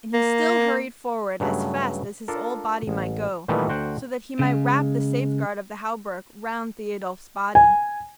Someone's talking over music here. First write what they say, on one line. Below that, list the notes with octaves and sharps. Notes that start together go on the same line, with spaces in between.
And he still hurried forward as fast as his old body might go, so that he might wrap the safeguard of the Hauberk round Thiodolf's body.
A#3
G2 C#3 F#3 A3
D4 F4 A4 A#4
A1
A#2 D#3 E3 G3 A3 B3
D2 F#4 C5 F#5 G5
C#3 G#3
G#5